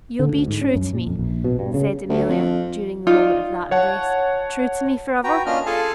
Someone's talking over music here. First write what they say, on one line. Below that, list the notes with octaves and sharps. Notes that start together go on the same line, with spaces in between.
"You'll be true to me?" said Amelia, during the moment of that embrace--"true to me for ever?"
D3
D2
G#2
C#4
F#2
A#2
F2
A#1
B2
G2
C#3
D2
F2
D#4 F4 D5
C#5 F#5 A5
F#4 B4 G5 A#5
A#3 C#4 D4 F4 D#5 F6
F4 G#4 A4 F5 G#5 A5